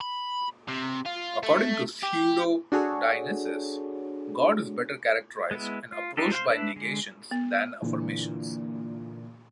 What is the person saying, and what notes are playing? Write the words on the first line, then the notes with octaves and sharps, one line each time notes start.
According to pseudo-Dionysius, God is better characterized and approached by negations than by affirmations.
B5
C3
F4
A3
G4
D4 F#4 G#4 A4 C#5
G#3 B3 E4
F4
D4 D#4 G4 A4
C5 F5 F#5 C6
D4 B4 E5
D3 G#3
B3
A#2 D3 E3